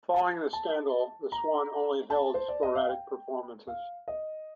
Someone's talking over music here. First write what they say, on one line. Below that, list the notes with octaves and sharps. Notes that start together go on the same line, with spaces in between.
Following the scandal, the Swan only held sporadic performances.
A5
A5
A#5
A5
C5
D5
D#5
F5
G5
F5
D#5